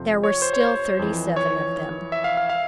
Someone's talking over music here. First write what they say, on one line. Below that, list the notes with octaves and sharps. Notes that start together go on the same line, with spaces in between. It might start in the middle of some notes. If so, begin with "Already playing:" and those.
There were still thirty-seven of them.
Already playing: F2 C3 F3 C5
C#5
C5
C#5
C5
F2 E3
C#5
E5
F5
F5
F5